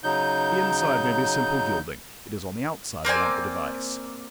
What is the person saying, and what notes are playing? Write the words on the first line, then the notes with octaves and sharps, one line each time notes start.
The inside may be simple gilding: it is on the outside I want the device.
C#3 F#3 D#4 G6
A#3 C4 D5 G#5